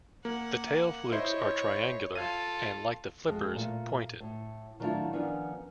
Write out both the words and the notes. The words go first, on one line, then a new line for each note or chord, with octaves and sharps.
The tail flukes are triangular and, like the flippers, pointed.
A#3 F#5
E4 C5 C#5 D#5
F4 A4 G#6 D#7
F2 G#3
A#2 A3 F4
A2
D#3 F#3 A3 D4 E4 F4
D#3 F3 B3 C#4 D4